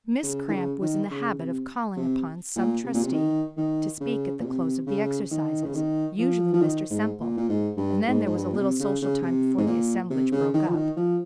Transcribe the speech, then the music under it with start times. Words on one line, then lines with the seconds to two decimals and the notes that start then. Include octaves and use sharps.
Miss Cramp was in the habit of calling upon some trustee to speak at the close of the exercises--usually Mr. Semple--and then there was a little social time before the assemblage broke up.
0.23 C#3
0.48 D#3
0.52 C#3
0.81 D#3
1.11 C#3
1.39 C3
1.97 C3
2.56 A#2
2.84 C3
2.94 A#2
3.03 C3
3.13 D#3
3.57 D#3
4.00 C#3
4.40 A#2
4.45 C3
4.87 C#3
5.31 D#3
5.64 C#3
5.75 D#3
6.19 F3
6.54 F3
6.62 D#3
6.90 G#2
7.20 A#2
7.37 A#2
7.49 G#2
7.77 G2
8.07 G#2
8.26 G#2
8.35 G2
8.53 A#2
8.57 C3
8.80 C#3
9.02 C#3
9.22 C3
9.58 G#2
9.66 A#2
10.10 C3
10.32 C#3
10.54 D#3
10.67 F3
10.75 D#3
10.96 F3